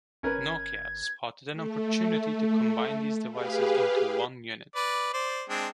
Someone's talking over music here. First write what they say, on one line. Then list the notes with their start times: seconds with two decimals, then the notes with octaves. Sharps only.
Nokia spotted an opportunity to combine these devices into one unit.
0.23 G1 C#4 A#4 B4 G#6
1.53 A3
3.31 G4 G#4 B4 F5
4.76 B4 D5
5.14 C5 D5
5.49 G#3 C4 D4